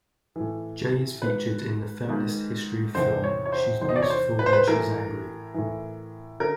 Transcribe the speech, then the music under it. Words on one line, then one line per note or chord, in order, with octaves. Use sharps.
Jay is featured in the feminist history film "She's Beautiful When She's Angry".
A2 E3
G#2 D#3 B4
G#2 D#3
E2 C3 D#3 C5
C#5
C#5
C5
E2 C3 D#3 C5
D#5
D5
C#5
C5
B4
C5
B4
A2 E3 A#4
A2 E3
D3 A#4